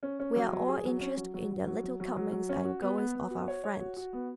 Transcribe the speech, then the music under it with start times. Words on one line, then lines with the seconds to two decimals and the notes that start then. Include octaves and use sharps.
We are all interested in the little comings and goings of our friends.
0.03 C#4
0.20 C#4
0.36 F#3
0.52 F#3
0.68 G#4
0.85 F#3
1.01 C#4
1.17 F#3
1.34 F#3
1.51 F#3
1.66 F#3
1.83 F#3
2.00 F#3
2.17 F#3
2.32 F#3
2.49 C#4
2.65 F#4
2.82 B3
2.98 B3
3.15 B3
3.30 F#4
3.48 C#5
3.64 C#5
3.80 F#4
3.97 F#4
4.13 B3